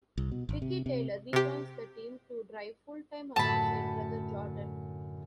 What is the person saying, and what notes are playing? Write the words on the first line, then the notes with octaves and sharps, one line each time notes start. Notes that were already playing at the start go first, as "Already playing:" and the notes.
Ricky Taylor rejoins the team to drive full-time alongside brother Jordan.
C2
B2
G#1
C3
C3
C3 G4
F#2 A2 D3 A5 B5